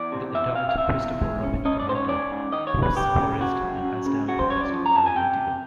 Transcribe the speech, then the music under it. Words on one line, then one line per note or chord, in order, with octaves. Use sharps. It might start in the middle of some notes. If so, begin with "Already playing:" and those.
The adult Christopher Robin commented: "Pooh's Forest and Ashdown Forest are identical".
Already playing: E2 D5
C3
E2 E5
C3 F5
F5
C3 E5
E2
G#3
C#4
C#4 D#5
D5
G#2 C5
C#5
C#4 D5
G#2
D#3 D#5
C#5
G#2
B4
F#2 G4
C#3
C#3 F#4
F#2
F#2
C#3
C#3 F#4
C5
F#2 C#5
D5
F3
A#5
C3 A5
G#5
C3 G5
C3